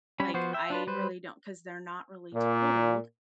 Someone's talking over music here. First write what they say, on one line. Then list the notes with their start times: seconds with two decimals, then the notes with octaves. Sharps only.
Like, I really don't 'cause they're not really told,
0.20 G3 C#4 B5
0.34 F3 B3 F#4 C5
0.53 E5 G5
0.70 D4 F4 B4
0.87 G3 B4 C5
2.32 A#2